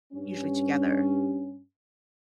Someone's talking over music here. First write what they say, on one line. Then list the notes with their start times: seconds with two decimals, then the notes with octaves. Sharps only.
usually together.
0.13 G2 C#4